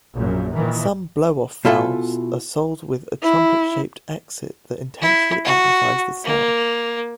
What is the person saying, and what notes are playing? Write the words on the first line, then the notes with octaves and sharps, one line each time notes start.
Some blowoff valves are sold with a trumpet-shaped exit that intentionally amplifies the sound.
A#1 F#2 A#2
A#2 D#3 E3
B2 E4 F4 A4 E5 G#5
E4
E4
F#4
A#3